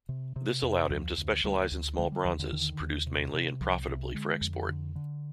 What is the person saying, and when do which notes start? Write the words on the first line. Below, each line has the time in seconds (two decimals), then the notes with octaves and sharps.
This allowed him to specialize in small bronzes, produced mainly and profitably for export.
0.09 C3
0.36 C3
0.63 F2
0.90 D2 F3
1.17 D2
1.44 D2 G3
1.71 D2
1.98 D3 G#3
2.12 G3
2.25 D#2 F3
2.39 D3
2.53 D3 D#3
2.80 D#2
3.06 C3
3.34 C3
3.61 C2 F3
3.88 C3
4.14 D3 G#3
4.41 F2
4.69 D3
4.95 D3